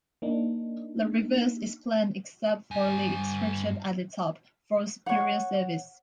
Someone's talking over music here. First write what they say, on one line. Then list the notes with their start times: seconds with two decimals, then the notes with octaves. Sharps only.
The reverse is plain except for the inscription at the top, "For Superior Service".
0.22 A#3 D4 D#4
2.71 G2 G#5
5.06 C#5 F#5